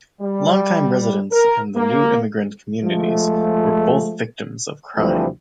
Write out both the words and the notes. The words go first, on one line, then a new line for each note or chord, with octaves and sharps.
Long-time residents and the new immigrant communities were both victims of crime.
G3
A#4
A#3
F3 G#3 A3
D2 E3 F3 G3 A3 C4